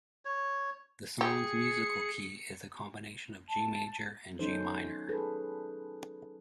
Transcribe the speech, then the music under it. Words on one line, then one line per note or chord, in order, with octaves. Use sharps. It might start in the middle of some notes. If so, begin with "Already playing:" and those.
The song's musical key is a combination of G major and G minor.
C#5
G4 G#4 C#7
A5
F#3 B3 C#4 D#4 A4 C5
G#4 A4 B4